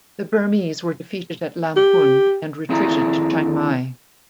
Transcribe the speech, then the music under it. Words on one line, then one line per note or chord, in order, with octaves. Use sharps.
The Burmese were defeated at Lamphun and retreated to Chiang Mai.
G4
D#2 C4 E4 G#4 A4 A#5